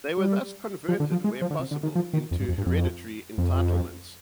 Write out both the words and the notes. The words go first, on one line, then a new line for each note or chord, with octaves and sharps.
They were thus converted where possible into hereditary entitlements.
G3
F3
D3
F3
G#3
F3
D3
C3
D3
D#3
F3
D#3
F2
G2
F2
G2
F2
F2